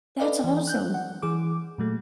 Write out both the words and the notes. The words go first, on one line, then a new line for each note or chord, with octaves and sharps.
That's awesome.
A4 B4 D5 D#5 F5
E3
F#6 G6
F#5
E3 G#4 D6
A#2 F#3 A3